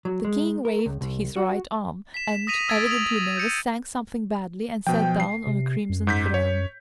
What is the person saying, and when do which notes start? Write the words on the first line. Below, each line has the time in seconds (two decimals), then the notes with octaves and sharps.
The king waved his right arm and, evidently nervous, sang something badly and sat down on a crimson throne.
0.05 F#3
0.25 G#3
0.65 A#4
0.86 C#2
1.01 C2
1.36 F#4
2.14 B6 E7
2.47 D#6 A#6 B6 D#7 F7
2.68 D#6 E6 G#6 A6 B6 D7
2.87 D#6 F7
3.37 G6 C#7 D#7
4.87 B2 F3 G5
5.20 C7
5.47 C3
5.89 F#2
6.07 G#2 G6 B6
6.34 C#5